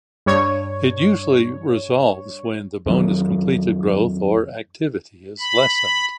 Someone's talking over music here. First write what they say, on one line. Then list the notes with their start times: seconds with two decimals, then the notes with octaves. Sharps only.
It usually resolves when the bone has completed growth or activity is lessened.
0.26 G2 C#5
2.86 F2 D#3 F#3
5.39 B5